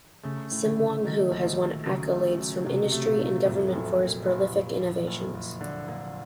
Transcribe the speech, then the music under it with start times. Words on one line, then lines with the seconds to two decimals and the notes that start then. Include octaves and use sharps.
Sim Wong Hoo has won accolades from industry and government for his prolific innovations.
0.23 C#3 A3
0.51 A2
0.64 D3
0.78 A3
1.04 D#3 F#3
1.31 A#1
1.58 A3
1.85 C#3 F#3
2.12 A3
2.38 F#3
2.65 C3 F#3
2.92 A3
3.06 A#2
3.20 F#3
3.46 F2 A2
3.67 A2
3.73 F#1
3.86 A#2
3.99 F#1
4.06 A#2
4.27 F#1
4.54 F#1
4.80 F2
5.07 F#1
5.34 F#1
5.61 D3
5.88 A#2 D3